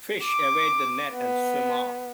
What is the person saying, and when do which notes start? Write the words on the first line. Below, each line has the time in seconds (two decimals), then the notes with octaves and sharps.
Fish evade the net and swim off.
0.23 D6
1.15 B3